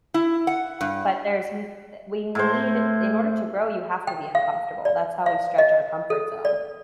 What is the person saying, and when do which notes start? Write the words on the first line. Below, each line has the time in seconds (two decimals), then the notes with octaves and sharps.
But there's n we need in order to grow, you have to be uncomfortable, that's how we stretch our comfort zone.
0.14 E4
0.47 F#5
0.81 G2
2.35 A2 C5
4.07 G5
4.35 F5
4.85 D5
5.26 F5
5.58 D#5
6.10 A4
6.45 D5